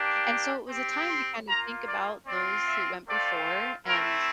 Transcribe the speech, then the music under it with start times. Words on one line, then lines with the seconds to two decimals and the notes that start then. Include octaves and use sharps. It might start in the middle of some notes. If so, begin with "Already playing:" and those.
and so, it was a time to kind of think about those who went before and,
Already playing: A#3 D4 G4
0.68 C4 G4
1.08 C6
1.48 A#3 F4 A#5
1.87 D5
2.27 C4 F4 D5
2.67 E5
3.07 A3 C4 F4 D5
3.86 A3 C4 E4 A#4